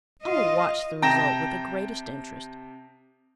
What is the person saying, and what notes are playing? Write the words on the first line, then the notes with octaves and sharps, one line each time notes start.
I will watch the result with the greatest interest.
F4 D#5
C3 G5 A5 A#5 A#6 E7